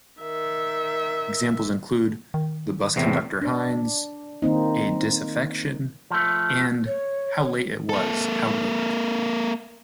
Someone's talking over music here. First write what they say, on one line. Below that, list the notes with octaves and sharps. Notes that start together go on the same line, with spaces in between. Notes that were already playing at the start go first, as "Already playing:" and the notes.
Examples include "The Busconductor Hines", "A Disaffection" and "How Late It Was, How Late".
D#3 E5
D#3
E2 A2 C3
D4 D5
D#3 A#3 C4 D#4
F3 A3
C#5
A#3 A4